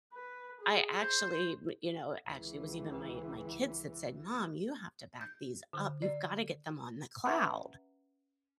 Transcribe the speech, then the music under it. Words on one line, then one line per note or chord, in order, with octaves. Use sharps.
I actually, w you know, actually, it was even my my kids that said, "Mom, you have to back these up. You've gotta get them on the cloud."
B4
G#4
C5
C#2 E3
G6
D3
D5
C#4 B4 E5 F#5 A#5